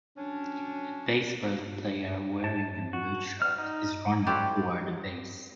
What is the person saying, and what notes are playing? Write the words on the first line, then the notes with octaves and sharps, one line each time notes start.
A baseball player wearing a blue shirt is running toward a base.
F#3 C#4 D4
A5
F#4
F6
D#4
E4 F#4 G4 A4 C5 D5